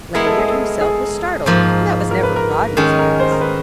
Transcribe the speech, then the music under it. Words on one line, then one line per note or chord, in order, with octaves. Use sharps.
Lanyard himself was startled: for that was never Roddy's voice!
G#3 B3 E4 A#4
A4
G#4
A4
G#4
G#2 F3 A#3
A#4
B4
A#4
D#3 G#3 C#4 A4
A#4
C5
A#4
B4